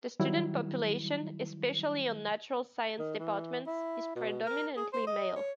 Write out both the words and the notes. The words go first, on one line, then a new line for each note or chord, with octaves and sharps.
The student population, especially on natural science departments, is predominantly male.
D#3 F#3 G3 E4
D#3
E3
E4
B2
A#4
G#4
C5
D#5
C#5